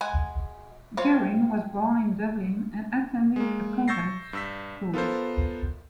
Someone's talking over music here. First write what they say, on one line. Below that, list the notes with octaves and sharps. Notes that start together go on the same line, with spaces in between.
Guerin was born in Dublin and attended a convent school.
G#3 F#5 G#5
C4 F4 C#5
G#3 A#3
C#6 E6 G6 A6 A#6 C7
G2 E6 B6
B3 F4 A4 A#4 C5